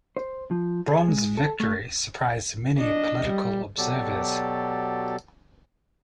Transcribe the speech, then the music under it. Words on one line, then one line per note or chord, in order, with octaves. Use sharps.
Broun's victory surprised many political observers.
C5
F3
G#4
G#3
A4
A3
D4 D#5
G3
B2 F#3 G4 A4 D5